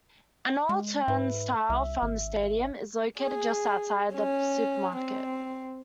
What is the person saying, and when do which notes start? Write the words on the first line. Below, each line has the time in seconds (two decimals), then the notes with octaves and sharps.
An old turnstile from the stadium is located just outside the supermarket.
0.69 G#3
1.08 G#2 B4 E5
1.69 C2 E5
2.02 G#1
3.20 G#4
4.14 C#4
4.96 C4